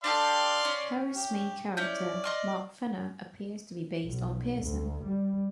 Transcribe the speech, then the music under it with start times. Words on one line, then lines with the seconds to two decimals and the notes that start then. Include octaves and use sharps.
Harris' main character, Mark Fenner, appears to be based on Pearson.
0.04 D4 G4 A4 D5 F5 C6
0.65 C#4
1.16 G4
1.77 C#4 E4 D5 G6
2.24 D#5 C6 F6
4.05 B1
4.64 D2
5.04 G3